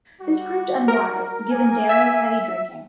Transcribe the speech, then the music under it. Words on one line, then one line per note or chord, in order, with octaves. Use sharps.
This proved unwise, given Darro's heavy drinking.
G3 F#4
A#4
A#3 G#4 G#5
E5